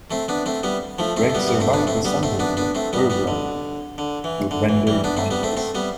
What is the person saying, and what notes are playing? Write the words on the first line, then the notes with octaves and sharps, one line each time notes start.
The Dreggs survived the sundering of Urgrund, but were rendered mindless.
A3 C4
B3 D4
A3 C4
G3 B3
F3 A3
A3 C4
A3
G3 B3
G3 B3
A3 C4
B3 D4
A3 C4
G3 B3
A3 C4
B3 D4
B3 D4
A3 C4
G3 B3
G3 B3
D3
D3
E3
D3
E3
E3 G3
B3 D4
A3 C4
G3 B3
A3 C4
A3 C4
G3 B3